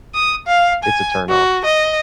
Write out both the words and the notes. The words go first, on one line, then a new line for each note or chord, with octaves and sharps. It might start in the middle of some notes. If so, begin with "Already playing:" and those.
it's a turnoff.
D#6
F5
G#5
F#4
D#5